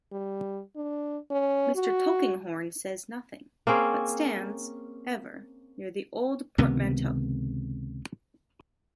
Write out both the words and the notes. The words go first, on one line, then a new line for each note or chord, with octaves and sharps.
Mr. Tulkinghorn says nothing, but stands, ever, near the old portmanteau.
G3
D4
C#4
F#4
A#3 C4 C#4 G#4
C#2 C3 D#3 B3